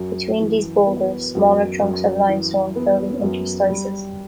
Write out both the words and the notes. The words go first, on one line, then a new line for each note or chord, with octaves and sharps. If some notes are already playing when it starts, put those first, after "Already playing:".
Between these boulders, smaller chunks of limestone fill the interstices.
Already playing: F#2
E3
B3
F#2
F#2
E3
B3
F#2
G3